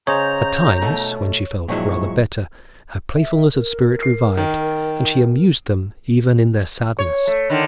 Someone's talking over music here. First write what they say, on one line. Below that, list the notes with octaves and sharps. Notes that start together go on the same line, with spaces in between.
At times, when she felt rather better, her playfulness of spirit revived, and she amused them even in their sadness.
C#3 G#4 C5 C#5 D#5 A#5 G6
B2 A3 D#4
A#1 G2 F3 F#3 G#3 E4 C#6
E5
A#4
C7
D#3
C#5
A3
D3 D#3